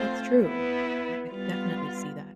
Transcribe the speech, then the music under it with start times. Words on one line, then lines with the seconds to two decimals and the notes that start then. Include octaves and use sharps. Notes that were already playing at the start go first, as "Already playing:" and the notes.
That's true. I I could definitely see that.
Already playing: A3 C4 F4 C5
0.43 B3 E4 B4
1.30 G3 B3 F4